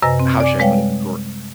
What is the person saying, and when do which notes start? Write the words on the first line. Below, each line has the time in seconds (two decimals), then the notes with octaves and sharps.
how should I put it? Gr
0.02 F#2 C3 B4 D#5 G#5 A#6
0.20 C4
0.40 D5 G#5 D6
0.59 G3 G#3 B4 C#5 F5 G5